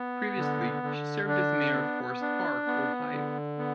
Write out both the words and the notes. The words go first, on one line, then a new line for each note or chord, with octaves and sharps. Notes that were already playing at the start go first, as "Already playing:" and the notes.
Previously, she served as mayor of Forest Park, Ohio.
Already playing: B3
D3
D3
D4
B3
D4
B3
D3
B3